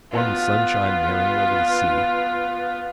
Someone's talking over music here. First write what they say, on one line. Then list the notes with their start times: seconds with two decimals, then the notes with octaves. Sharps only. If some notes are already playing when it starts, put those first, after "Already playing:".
Warm sunshine merrying over the sea.
0.12 B3 F4